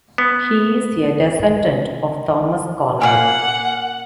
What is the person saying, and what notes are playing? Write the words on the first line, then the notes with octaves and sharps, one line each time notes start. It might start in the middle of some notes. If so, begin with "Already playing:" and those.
He is a descendant of Thomas Cornell.
B3
A#2 A#3 F#5 G#5